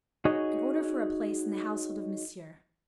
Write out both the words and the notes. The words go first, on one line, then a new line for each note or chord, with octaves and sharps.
"An order for a place in the household of Monsieur."
D#4 F#4 G#4 C#5 D#5